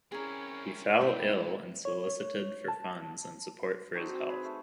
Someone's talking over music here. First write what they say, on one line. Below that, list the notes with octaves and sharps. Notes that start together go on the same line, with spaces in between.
He fell ill and solicited for funds and support for his health.
C4 C#4 E4 G#4 A#4
A2 C3 E4 E5 G5
C#5
A5
C4 D4 D#4 F#4
G#4 B4
A3